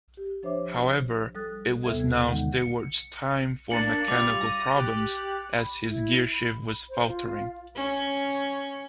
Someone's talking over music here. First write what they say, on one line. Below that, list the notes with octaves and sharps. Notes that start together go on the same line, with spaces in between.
However, it was now Stewart's time for mechanical problems as his gearshift was faltering.
G4
F3 D4 C5 C#5 E5 D6
G3 A4 D#6 F#6 A6
D#2 C3 B3 A4 E5 G#6
D#2 D3 D#3 G#3 D#4 F#5
C#7
A#3 D4 A6 C#7 F#7
G3 F4 D6 F7
A#6 D#7
G4 F#6
B5
E4
B5
C5
F4
C#4